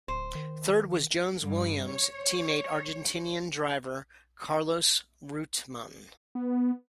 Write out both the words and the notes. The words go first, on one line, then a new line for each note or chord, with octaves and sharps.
Third was Jones' Williams teammate Argentinian driver, Carlos Reutemann.
D1 C5
D#3
G2
C#5
B3